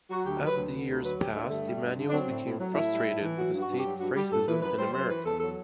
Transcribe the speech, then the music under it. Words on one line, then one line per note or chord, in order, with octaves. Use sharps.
As the years passed Emanuel became frustrated with the state of racism in America.
F#3 F#4
D2 G4
F#3
B4
D2
D3
D2
F#3 B4
D2 G4
D3 A3
G2 A3
G3
G2
D3
D4
F#3 C4
A2
A2
F#3
A2 E4
G3
A2
E3
F#3 F#4
G2
F#4
G2
G4
F#3
G2 F#4
G3 G4
G2 A4
E3 B4
F#2 B4
G3 C5
F#2 C5
E3 B4
E2 A4
F#3 A4